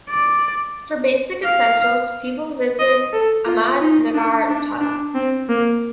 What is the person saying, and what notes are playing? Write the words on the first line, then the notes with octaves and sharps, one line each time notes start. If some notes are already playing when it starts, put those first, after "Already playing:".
For Basic Essentials People visit Ahmad Nagar Chattha.
D5
F5
D#5
A4
F4
D#4
D4
D4
D4
C4
A#3